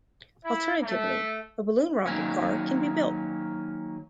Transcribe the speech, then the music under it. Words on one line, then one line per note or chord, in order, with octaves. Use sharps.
Alternatively, a balloon rocket car can be built.
E4
A3
D#3 F#3 A#3 C#4